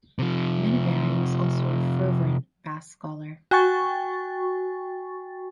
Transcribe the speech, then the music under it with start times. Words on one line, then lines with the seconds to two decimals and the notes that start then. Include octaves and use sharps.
Minaberri was also an fervent Basque scholar.
0.19 C3 F3
3.51 F#4 G5 G#5 C#6 A6